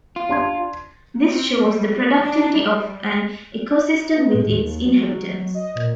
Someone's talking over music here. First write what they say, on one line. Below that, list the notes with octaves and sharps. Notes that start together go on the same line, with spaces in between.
This shows the productivity of an ecosystem with its inhabitants.
F4
D4 C6 G#6
C4
G3
D4
G3
B3
A2
D#2
F#3
D#5
A#2